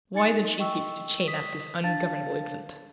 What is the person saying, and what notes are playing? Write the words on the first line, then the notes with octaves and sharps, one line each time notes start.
"Why isn't she here to chain up this ungovernable infant?"
D#4 G#5 A6 C#7
D#5 G5 C#6 E6
D#6 B6
D4 F5 A5 A6